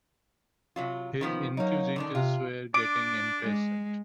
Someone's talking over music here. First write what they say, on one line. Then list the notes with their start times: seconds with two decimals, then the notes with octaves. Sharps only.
His inquisitors were getting impatient.
0.76 C3 F#3 F4
1.21 D#3 F3 B3
1.57 F#3 A#3 D#4
1.96 D3 D#3 D4
2.15 C3 F4
2.74 D4 D6 D7
3.41 G#3